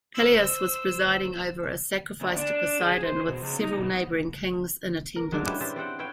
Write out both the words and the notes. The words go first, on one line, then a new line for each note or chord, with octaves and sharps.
Pelias was presiding over a sacrifice to Poseidon with several neighboring kings in attendance.
C5 E6
D2
D4
G#4
C5
B2
C#2
D#4
B2
A#4
F#3 G#3 D4 D5 F5
C#4 D4 E4 G4 B4 C5
G4 C5 E5 A5 C6
C4 C5 F#5 G5
B4 C#5 E5 F5 G5